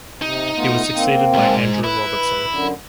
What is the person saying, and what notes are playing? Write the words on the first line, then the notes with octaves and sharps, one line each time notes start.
He was succeeded by Andrew Robertson.
C3 D#4
A3 B3 F4
A#3 C4
C2 G#2
E4 B4
F#2 D3